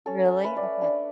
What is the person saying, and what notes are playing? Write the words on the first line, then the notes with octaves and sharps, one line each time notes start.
Really? Okay.
C#4 A4
C#4
A3 B4
D5
A3
D4